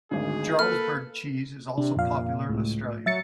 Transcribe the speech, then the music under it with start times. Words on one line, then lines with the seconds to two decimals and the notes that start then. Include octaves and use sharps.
Jarlsberg cheese is also popular in Australia.
0.11 G#1 D2 G#3 D#4 G#4
0.59 A#3 A4 B4 F6
1.78 C3 D4
1.96 F2 A#2 F5
2.49 C#2 A2
3.06 F#3 E5 A6 C#7